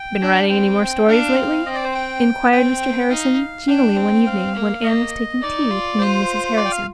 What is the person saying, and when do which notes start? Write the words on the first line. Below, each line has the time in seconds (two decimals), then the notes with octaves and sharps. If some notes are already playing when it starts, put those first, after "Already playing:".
"Been writing any more stories lately?" inquired Mr. Harrison genially one evening when Anne was taking tea with him and Mrs. Harrison.
Already playing: G5
0.21 D4
0.50 C4 G5
1.08 D4 F5
1.36 C4
1.65 C4 D#5
1.75 D5
1.84 C5
1.94 G5
2.52 C4 G5
3.09 D#4 F5
3.68 D4 G5
3.97 C4
4.26 F5
4.55 A#3
4.83 A#3 D#5
5.42 D#4 D5
5.71 F4
5.99 F4 C5
6.57 D5
6.65 G5
6.71 F5